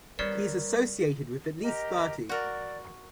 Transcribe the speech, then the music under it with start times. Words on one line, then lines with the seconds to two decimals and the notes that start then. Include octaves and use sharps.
He is associated with at least thirty.
0.19 G3 B3 C#4 A#4 C5 D5
1.61 G4 A#4 D#5
2.29 F#4 A#4 D5